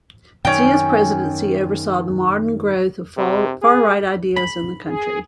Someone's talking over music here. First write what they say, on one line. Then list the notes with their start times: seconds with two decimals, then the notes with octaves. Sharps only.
Zia's presidency oversaw the modern growth of far-right ideas in the country.
0.45 F#2 D#3 C#4 G5
3.17 C3
3.62 G#4
4.36 B5
4.84 G#4